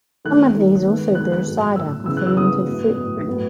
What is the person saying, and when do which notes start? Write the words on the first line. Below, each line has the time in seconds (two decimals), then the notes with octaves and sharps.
Some of these also brew cider, a fermented fruit drink.
0.25 D#3 A3 F#6
0.55 D#3 A3
0.86 D#3 G#3 B3
1.15 D#3 G#3 B3 F#6
1.32 F#6
1.46 A2 F#3 A3
1.76 A2 F#3 A3 E6
2.06 C#3 E3 B3 E6
2.17 F#6
2.27 E6
2.36 C#3 E3 B3 D#6
2.67 A2 F#3 B3
2.97 A2 F#3 B3
3.27 A2 F#3 B3